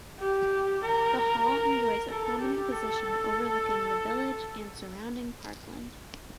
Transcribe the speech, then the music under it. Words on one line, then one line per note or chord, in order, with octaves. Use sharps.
The hall enjoys a prominent position overlooking the village and surrounding parkland.
G4
A#4
A4
G4
A4